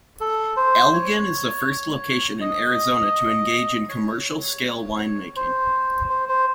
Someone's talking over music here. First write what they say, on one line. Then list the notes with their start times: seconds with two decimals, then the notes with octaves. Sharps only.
Elgin is the first location in Arizona to engage in commercial scale winemaking.
0.21 A4
0.57 C5
0.94 C#5
2.41 D#5
3.89 C#5
5.36 C5
6.10 C5
6.29 C5